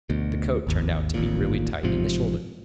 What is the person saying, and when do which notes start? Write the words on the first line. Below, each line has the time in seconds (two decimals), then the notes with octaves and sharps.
But the coat turned out to be really tight in the shoulders.
0.09 D2 B2
0.67 G#1 D#2
1.14 D#1 A1 D#2 A#2
1.83 A1 G#2 C3 F3